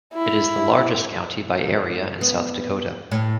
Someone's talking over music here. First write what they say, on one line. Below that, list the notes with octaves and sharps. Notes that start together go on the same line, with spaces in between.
It is the largest county by area in South Dakota.
E4
B3
A2